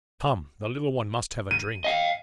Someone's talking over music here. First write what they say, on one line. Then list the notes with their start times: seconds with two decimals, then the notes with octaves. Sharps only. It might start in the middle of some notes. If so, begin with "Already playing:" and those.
Come! the little one must have a drink.
1.51 D#7
1.84 D#5 F5